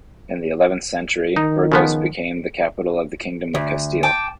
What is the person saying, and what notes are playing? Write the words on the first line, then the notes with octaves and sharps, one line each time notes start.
In the eleventh century, Burgos became the capital of the Kingdom of Castile.
D#3 D#4
C#3 F3 B3
D2
G5 A5 D6